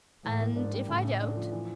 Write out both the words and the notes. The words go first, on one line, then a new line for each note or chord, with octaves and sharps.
"And if I don't?"
A2 E3
A#3
G#2 D4
G3
A2 C#3
A3
D4
F3
E3